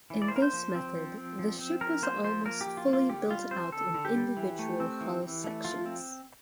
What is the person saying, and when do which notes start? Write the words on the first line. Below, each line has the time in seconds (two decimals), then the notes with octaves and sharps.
In this method, the ship was almost fully built out in individual hull sections.
0.10 E3
0.22 D5
0.28 C5
0.31 A#3 A#4
0.42 C5
0.53 F3
0.75 C4
0.95 F3
1.18 C4
1.39 F3
1.59 C4
1.81 F3 A#4
2.02 A#3 C5
2.24 F3 C5
2.46 A#3 A#4
2.61 G4
2.66 F3
2.77 F4
2.88 A#3
2.93 F4
3.09 D3 G4
3.30 G3 F4
3.51 C4 C5
3.72 D3 A4
3.94 D3
4.05 G4
4.16 G3
4.37 E3
4.59 A3
4.80 C4
5.01 E3
5.22 E3
5.44 A3
5.64 F3 F4
5.86 C4